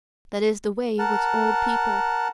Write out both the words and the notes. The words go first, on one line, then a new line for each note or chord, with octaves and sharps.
That is the way with old people!
A#4 F#5 A5